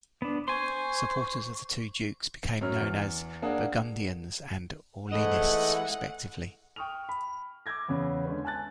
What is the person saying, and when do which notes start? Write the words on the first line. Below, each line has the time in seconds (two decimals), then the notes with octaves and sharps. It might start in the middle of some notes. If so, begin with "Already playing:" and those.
Supporters of the two dukes became known as "Burgundians" and "Orleanists", respectively.
0.22 B3 D4
0.48 C5 G#5 C6 C#6
2.61 F#2 C#4 F6
2.80 E2
3.42 A#3 D4 G#4 F#5
5.12 G#2 E3 A3 E4 D#5 F#5
6.76 G5 C#6 D#6 F6 F7
7.09 B5
7.66 D6 E6 G6 G#6 A#6
7.88 E2 C#3 B3 C#4
8.25 D3 G#3 C#4 B4
8.44 G#5 A5 F#6 A6